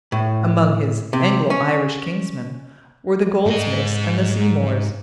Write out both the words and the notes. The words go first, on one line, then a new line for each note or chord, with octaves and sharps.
Among his Anglo-Irish kinsmen were the Goldsmiths and the Seymours.
A2
C3
C#4
G#2 D#5